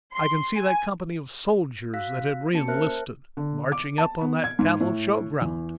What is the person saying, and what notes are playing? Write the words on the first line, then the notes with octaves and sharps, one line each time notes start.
I can see that company of soldiers that had re-enlisted marching up on that cattle-show ground.
C6
G#5
F#4 F5 E6 F#6 A#6 B6
A#3 C#4 F#4 A5 C#7
A#4 C5 E5 A5 F6 F#6
D3
D6
A5
B3
G#6
G#2
A2
E2